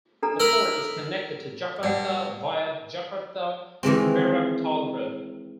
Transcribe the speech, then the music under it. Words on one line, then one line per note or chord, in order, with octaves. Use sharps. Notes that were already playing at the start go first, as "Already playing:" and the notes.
The port is connected to Jakarta via the Jakarta-Merak Toll Road.
D4 A4 A#5
A#4 B5 E6
A4
G2 D5 F#5
D#3 E3 G#3 C4